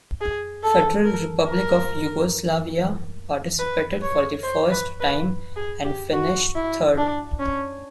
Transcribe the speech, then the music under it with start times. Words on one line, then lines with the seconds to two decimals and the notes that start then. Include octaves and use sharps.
Federal Republic of Yugoslavia participated for the first time and finished third.
0.21 G#4
0.63 A4
1.05 A#4
1.47 A#4
3.59 B4
4.02 C#5
4.43 C5
4.71 B4
5.00 B4
5.56 G#4
5.84 G4
6.13 F#4
6.55 E4
6.97 D4
7.39 C#4